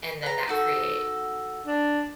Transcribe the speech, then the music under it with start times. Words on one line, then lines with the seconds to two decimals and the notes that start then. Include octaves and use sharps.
and then that create
0.23 B4 A#5
0.48 D#4 F#4 A4
1.65 D4